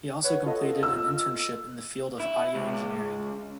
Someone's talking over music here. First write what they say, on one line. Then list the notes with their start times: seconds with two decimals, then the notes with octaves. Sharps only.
He also completed an internship in the field of audio engineering.
0.24 B4 C#5 F#5
0.45 F4 A4 D#5
0.83 E6
2.20 E4
2.55 C#2